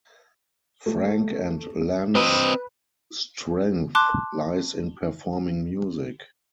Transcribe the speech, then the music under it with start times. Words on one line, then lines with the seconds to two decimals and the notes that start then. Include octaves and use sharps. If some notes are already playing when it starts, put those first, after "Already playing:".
Frank and Len's strength lies in performing music.
0.86 A3
2.15 C4 B4 D#5
3.95 A5 C6 D6 F#6